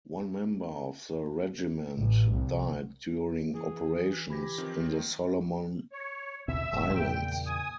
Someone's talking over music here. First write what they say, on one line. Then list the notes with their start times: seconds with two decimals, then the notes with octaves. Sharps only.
One member of the regiment died during operations in the Solomon Islands.
1.96 A1
2.31 C2
3.54 E3 G#4
4.30 G4 B5 G#6 A#6
4.58 D#3 F3 C4
5.92 C#5
6.48 D#2 B2 B3 E5 E6
6.72 E1 G#2 B2
6.95 E2 A#2 C#3 G5
7.46 G#5 D#6